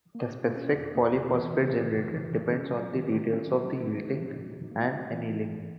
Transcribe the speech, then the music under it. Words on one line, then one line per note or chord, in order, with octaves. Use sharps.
The specific polyphosphate generated depends on the details of the heating and annealling.
A#3
B2
C#4
E2
A#3
B2
E3
C#3
F#2
F#2
E3
C#3
C#4
F#3
D#3
D#3
C#4
F#3
D#4
A#3
F#4
A#2
D#4
A#3
G#3
E3
G#2
G#2